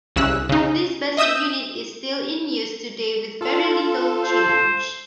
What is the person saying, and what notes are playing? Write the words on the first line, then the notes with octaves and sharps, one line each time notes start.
This basic unit is still in use today with very little change.
C2 C#3 E6 F#6
C#3 D#4
D#5 E5 D#6 E6 G6
F4 A4
C5